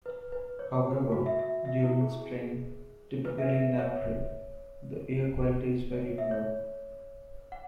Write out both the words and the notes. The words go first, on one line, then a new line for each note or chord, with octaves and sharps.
However, during Spring, typically in April, the air quality is very poor.
B4
B4
C#5
F#4
E5
E5
E5
E4
G#4
G#4
B4
E5
E5
C#5
C#5
E5
C#5
F#5